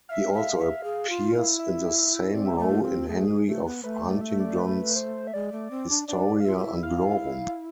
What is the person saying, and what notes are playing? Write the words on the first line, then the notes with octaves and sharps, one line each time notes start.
He also appears in the same role in Henry of Huntingdon's "Historia Anglorum".
E5 F5
E5
E5
G#4
F4
E4
E5
C4 D5
E5
A3 D5
F4
C4
A3 G#4
G#3
A3
B3
A3 B4
D5
E5
D5
B4
C5
E5
G#3 D5
A3
C4
D4
D4 D5
F5
F4 E5
F4
E4
F5